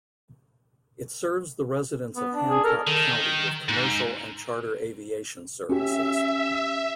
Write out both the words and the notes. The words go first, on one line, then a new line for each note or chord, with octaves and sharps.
It serves the residents of Hancock County with commercial and charter aviation services.
B3
D4
G#4
A4 A#4
D#3
G#2
C#4 G4 E5